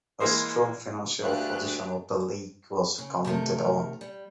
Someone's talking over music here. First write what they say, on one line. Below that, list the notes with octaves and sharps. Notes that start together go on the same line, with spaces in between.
The strong financial position of the league was commented on.
E3 G#3 A#3 C5
D2 D4 G4 G#4 E5 F5 F#6
C#3
C3 D#3 A3 A#4
G3